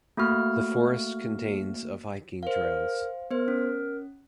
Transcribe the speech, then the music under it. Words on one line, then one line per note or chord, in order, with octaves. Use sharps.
The forest contains of hiking trails.
A3 A#3 F#4 F6
A#4 C5 F5
B3 A#4 C5
C#4